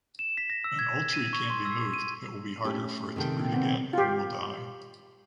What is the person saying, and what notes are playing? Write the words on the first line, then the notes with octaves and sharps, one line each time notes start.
An old tree can’t be moved, it will be harder for it to root again and will die.
E7
B6
A#6
E6
G#6
D#7
C#6
C6
E6
D#7
A3 C#4 G4
C3 D#3 G#4 A4 G5
E2 C4
F4 G4